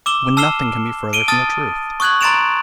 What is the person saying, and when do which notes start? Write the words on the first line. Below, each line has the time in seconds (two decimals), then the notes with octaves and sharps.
When nothing can be further from the truth.
0.06 D6 E6 E7 G7
0.37 A5 E6 F6 C7 E7 G7
1.13 D7 D#7 G7
1.28 A5 D#6 F6 A6 D#7
2.00 C#6 D#6 F#6 G#6 F#7
2.21 A#5 C6 A6 D7 E7 F7